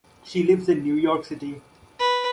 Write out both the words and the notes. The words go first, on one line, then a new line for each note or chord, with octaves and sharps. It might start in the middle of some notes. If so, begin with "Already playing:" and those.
She lives in New York City.
B4